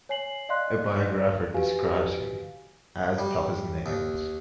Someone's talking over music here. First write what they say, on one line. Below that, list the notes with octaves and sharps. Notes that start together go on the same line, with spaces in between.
A biographer describes him as tough as nails.
C#5 G#5 C7 F#7
D5 D#5 F5 C6 F#6
F#4 G4 B4 F5 G#5
G3
D#2